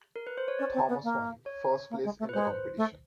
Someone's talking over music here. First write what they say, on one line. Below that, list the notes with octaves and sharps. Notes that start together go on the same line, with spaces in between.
Thomas one first place in the competition.
A#4
B4
C5
C#5
C#4 D5
C4
B3
A#3
C#5
A#3
G#3
A3
B4
G#3 C5
A3